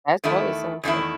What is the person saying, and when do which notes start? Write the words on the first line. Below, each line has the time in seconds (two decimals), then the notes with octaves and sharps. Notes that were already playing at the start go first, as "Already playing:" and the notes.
that's always something.
0.24 E2 D#3 A3 E4
0.84 E2 D#3 A3 E4